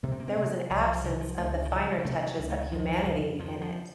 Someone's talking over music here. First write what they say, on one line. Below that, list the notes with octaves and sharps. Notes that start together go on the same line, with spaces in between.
There was an absence of the finer touches of humanity in it!
C3 A#3
C4
A#3
C4
C3 A#3
C2 F3
F3
C3 D#3
F3
C#2 A3
D#3
C#3 F3
F#3
C3 A3
F#3
C#2
A3
F2 F3
C#3
F2 F3
F3